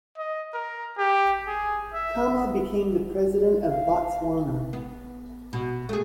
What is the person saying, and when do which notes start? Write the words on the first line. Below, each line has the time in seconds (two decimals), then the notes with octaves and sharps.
Khama became the president of Botswana.
0.18 D#5
0.54 A#4
0.98 G4
1.47 G#4
1.93 E5
3.67 F5
4.73 B3
5.53 B2
5.89 A3 G#4